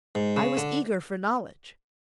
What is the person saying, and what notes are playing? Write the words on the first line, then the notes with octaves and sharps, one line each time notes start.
I was eager for knowledge.
G#2
C#3
D3